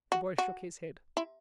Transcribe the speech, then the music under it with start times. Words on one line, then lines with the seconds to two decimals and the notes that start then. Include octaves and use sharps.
The boy shook his head.
0.12 F#4
0.38 F#4
1.17 E4